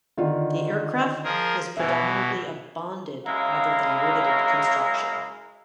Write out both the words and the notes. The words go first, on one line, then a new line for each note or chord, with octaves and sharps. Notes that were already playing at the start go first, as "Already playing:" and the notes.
The aircraft was predominantly of bonded, rather than riveted, construction.
D3 D#3 F4
F3 G#4 A#4
B2 E3 E5 G#5
F#2 C#3 G#3 E4 F5 A#5